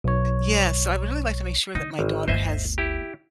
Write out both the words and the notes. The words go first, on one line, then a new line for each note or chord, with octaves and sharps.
yeah, so I would really like to make sure that my daughter has,
B1 C#5
D3 D#4
G#1
G1 D2 C5 D#5 E5
E4 G4